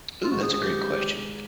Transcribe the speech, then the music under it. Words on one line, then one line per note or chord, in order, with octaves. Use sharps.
Ooh, that's a great question.
F4
G#2 D#3 G#3 F#4
G#4
G#4
G4